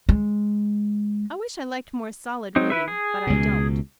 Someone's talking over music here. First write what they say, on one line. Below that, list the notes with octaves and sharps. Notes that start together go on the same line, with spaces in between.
I wish I liked more solid reading; but I don't.
G#3
F#3 C4 D#4
E4 B4 E5
G#4
C#2 B2